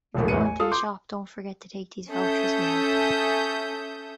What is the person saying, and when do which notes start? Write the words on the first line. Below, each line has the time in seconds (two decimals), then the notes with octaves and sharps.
If your going to the shop don't forget to take those vouchers we have.
0.14 E1 A#1 D#2
0.28 A1 E2 A3 B4 C#7 D#7
0.45 G#5
0.59 F4 A4 F5 D#6
0.72 C6 D6 G6
2.10 C#4 A4 E5 D#6 G6